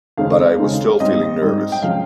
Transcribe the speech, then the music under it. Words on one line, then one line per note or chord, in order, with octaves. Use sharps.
But I was still feeling nervous.
D#2 C#3 G#3 C4 D#4 F5
D#2 C#3 G#3 C4 D#4
G#2 G3 C4 D#5
G#2 G3 C4
G5
C3 F3 G#3 C#4 F5